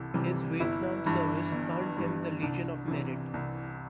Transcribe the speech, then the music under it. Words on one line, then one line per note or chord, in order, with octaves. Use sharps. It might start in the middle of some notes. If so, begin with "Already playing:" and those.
His Vietnam service earned him the Legion of Merit.
Already playing: C2 C3 E3 A4
C3 E3 G3
G1 E4
G2 E3 G3
G1
G2 E3 G3
C2 D4
C3 E3
C2